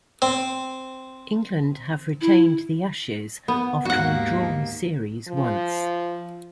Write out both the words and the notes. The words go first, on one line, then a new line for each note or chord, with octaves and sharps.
England have retained the Ashes after a drawn series once.
C4
E4
B3
D#2 G#2 A#3 F#4 F#5
F3